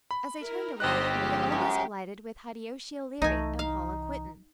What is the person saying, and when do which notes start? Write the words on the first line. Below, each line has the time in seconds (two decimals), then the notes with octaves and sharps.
As they turned away, they almost collided with Hideyoshi O'Leary and Paula Quinton.
0.11 B5
0.43 E4 A#4
0.80 G1 D#4 G4 C5 D#5 F#6
1.17 F3 G#3 C#4
1.52 F#2
3.22 C2 E3 A3 D#4 G#5
3.59 D#4 F5